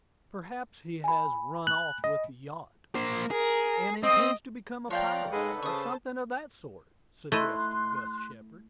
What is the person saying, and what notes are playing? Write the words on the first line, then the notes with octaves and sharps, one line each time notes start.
"Perhaps he has run off with the yacht, and intends to become a pirate, or something of that sort," suggested Gus Shepard.
G#5 B5
F#6
D#5
A#3 C5
G#4 A#4
C4 D#5 D#6
F3 C#5 D5 F5 G5 A#5 F#6
G#3 D#4 A4 B4 F#5
C#3 C5 A5 C#6 D#6
A3 E4 D#5 C6 F#6